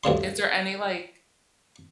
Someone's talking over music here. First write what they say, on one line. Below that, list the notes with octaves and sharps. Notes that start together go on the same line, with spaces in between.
Is there any, like
D2 G2 C#3 C6